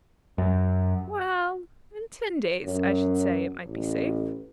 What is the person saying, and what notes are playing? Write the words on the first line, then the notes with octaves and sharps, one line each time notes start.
"Well--in ten days, I should say, it might be safe."
F#2
F#2
A1